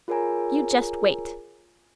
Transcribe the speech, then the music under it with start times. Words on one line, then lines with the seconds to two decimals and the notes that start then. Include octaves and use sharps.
"You just wait!"
0.08 F4 G#4 A#4 C#5 G#5 A#5